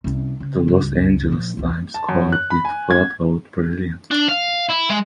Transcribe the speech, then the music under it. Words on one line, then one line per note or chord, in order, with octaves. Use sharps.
The "Los Angeles Times" called it "flat out brilliant".
C2 C#4
C#3
C#2 G2
A#2 F3
C2 F4
A5
F#2
F#6
B5
G#5
G#6
D4
F5
E4
G#3